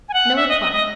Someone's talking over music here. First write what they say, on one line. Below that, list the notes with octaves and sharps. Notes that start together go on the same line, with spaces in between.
No reply.
G#5
F#5
E5
D#5
D#5
D#5